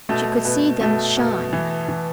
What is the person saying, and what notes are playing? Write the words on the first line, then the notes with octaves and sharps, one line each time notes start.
She could see them shine.
B2 A3
B2 B3
B2 A3
B2
E3
E3